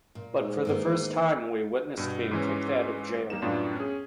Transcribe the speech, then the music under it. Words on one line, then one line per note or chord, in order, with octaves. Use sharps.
But for the first time, we witnessed being kicked out of jail.
A#2
G#2
D#3 A#3 B3
G2 B2
G#2 E3 C#4
G3 A#3 D#4 E7
F#2 A2 B3 D4 F4
C#4 G#4